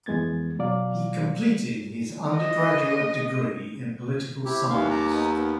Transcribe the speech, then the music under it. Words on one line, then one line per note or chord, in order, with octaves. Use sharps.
He completed his undergraduate degree in political science.
F2 E3 G#3 B3 G#6 A6
B2 F#3 D5 F5
D#5
C3 E4 G4
D#2 E3 F5
A5 A#5 D6
B3 D#4 D#6
B3